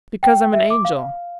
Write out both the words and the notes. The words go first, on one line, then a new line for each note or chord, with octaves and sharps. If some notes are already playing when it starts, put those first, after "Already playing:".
"Because I'm an angel."
G5
E5
D6
F5